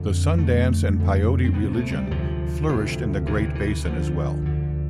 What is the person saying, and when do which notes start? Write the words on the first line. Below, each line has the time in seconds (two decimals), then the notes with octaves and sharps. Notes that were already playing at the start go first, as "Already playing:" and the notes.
The Sun Dance and Peyote religion flourished in the Great Basin, as well.
Already playing: F2 D3 C4
0.38 F2 D3 A3
0.96 F2 D3
1.44 C4
1.53 D2 C3 B3
1.73 A3
1.92 G3
2.11 D2 C3 F3
2.69 D2 C3
3.26 D2 C3 E3
3.55 E3
3.84 D2 D3 F3
4.42 D2 D3